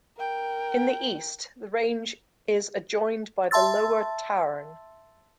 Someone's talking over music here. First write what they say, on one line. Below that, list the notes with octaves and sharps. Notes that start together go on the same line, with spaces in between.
In the east, the range is adjoined by the Lower Tauern.
A#4 G5
E5 A5 C6 E6 A6